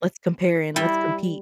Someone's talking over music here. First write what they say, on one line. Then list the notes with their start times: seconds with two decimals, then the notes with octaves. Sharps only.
Let's compare and let's compete.
0.76 G3 E4